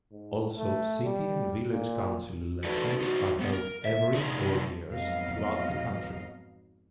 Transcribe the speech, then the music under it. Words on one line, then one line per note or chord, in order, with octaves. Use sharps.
Also City and Village Council elections are held every four years throughout the country.
G#2
A3
G3
A#2
D#4 F#4 A4 B4 D5
D#4 F#4 C5
G3 B3
A#4
E5
C3 D4 D#4
F2 G#2 F#3 B3 D#5 F5